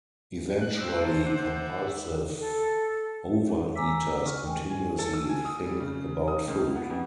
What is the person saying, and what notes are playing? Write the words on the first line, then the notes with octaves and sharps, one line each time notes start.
Eventually, compulsive overeaters continuously think about food.
F#6
G3 C5 E6
A#3 C4 A4
D5 E5 F#5
A4
G#4 C#5
G#5 A#5 D6 E6 B6
C#6 F6
G5 G#5
G#5
A4
E6
G#5
D#6
G3
C#3
D#6
C#2
B3
F2